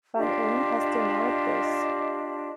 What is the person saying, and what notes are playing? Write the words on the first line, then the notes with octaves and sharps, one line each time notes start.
Van Impe has denied this.
D4 F4 G4 D#5